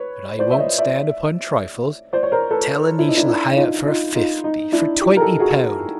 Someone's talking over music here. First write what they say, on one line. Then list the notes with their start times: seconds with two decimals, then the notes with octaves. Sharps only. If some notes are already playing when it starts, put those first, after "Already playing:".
But I won't stand upon trifles--tell'n he shall hae it for fifty--for twenty pound!
Already playing: B4 C#5
0.39 C5 D5
0.51 E5
0.58 C#5 D#5
0.78 D5 E5
2.13 C5 D5
2.23 C#5
2.32 A#4 C5
2.51 A4 B4
2.99 E4
3.09 D#4
3.17 D4 E4
3.28 D4 E4
3.57 D#4 F4
3.86 D#4 F4
4.15 D#4 F4
4.44 D#4
4.72 D4 E4
5.01 F4 G4
5.17 A#4
5.21 G4 A4
5.40 F#4 G#4